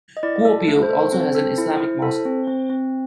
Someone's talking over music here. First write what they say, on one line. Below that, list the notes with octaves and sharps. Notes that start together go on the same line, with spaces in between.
Kuopio also has an Islamic mosque.
D#5
E4 D5
A4
A3
C5
A4
C4
A4
E4
E4
A4
C4
C4
C4